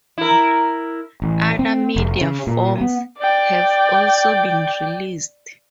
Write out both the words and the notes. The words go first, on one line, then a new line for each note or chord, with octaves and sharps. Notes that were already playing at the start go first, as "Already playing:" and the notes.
Other media forms have also been released.
E4 A#4
A1
C4
F1
C#3
A#2
B3
D5 G5